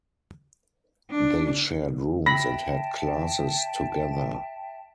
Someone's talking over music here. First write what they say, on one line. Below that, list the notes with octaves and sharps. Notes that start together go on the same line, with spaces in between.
They shared rooms and had classes together.
D4
E5 G5 A5 B5 A#6